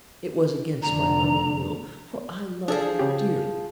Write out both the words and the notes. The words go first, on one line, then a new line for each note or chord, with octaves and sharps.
It was against my own will, for I love you dearly.
F1 D3 A#5
F3 D4 G#4 A4
C#3 G4